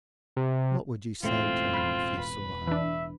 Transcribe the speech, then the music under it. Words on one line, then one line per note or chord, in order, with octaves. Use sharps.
"What would you say to him if you saw him?"
C3
E1 A2 A3 C4 F4
B5 F6
B4
E3 D4 E5